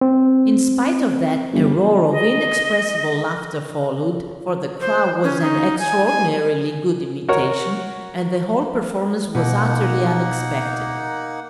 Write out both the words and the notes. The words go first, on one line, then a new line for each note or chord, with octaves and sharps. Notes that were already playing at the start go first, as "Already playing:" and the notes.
In spite of that, a roar of inexpressible laughter followed, for the crow was an extraordinarily good imitation, and the whole performance was utterly unexpected.
C4
G1
D#5
C5
C#4
D#4
G#5
G#5
F#4 A#4 C#5
B2 A#3 D#4 F#5